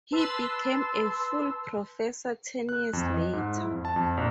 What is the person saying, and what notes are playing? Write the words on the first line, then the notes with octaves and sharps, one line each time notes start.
He became a full professor ten years later.
B4 A5 C6 E6
F#6
F2
D#5
G#2
E4
F2
A5
F2
A#1